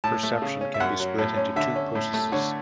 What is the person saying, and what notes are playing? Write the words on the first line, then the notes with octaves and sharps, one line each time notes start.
Perception can be split into two processes.
A2 A5
A3
C#3
C#4
E5
F#2 F#5
F#3
A2
C#4
D3 E5
C#4
A2
A3
D3 C#5